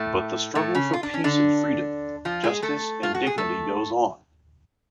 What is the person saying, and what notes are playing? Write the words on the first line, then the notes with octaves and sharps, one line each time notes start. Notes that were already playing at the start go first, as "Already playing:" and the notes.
But the struggle for peace and freedom, justice and dignity goes on.
Already playing: A2 A3
A2 A3
C#3 C#4
F4
D4
C#4
D3 D4
F3 F4
G#3 G#4
A3 A4
F4
F#4
G#4
A3 A4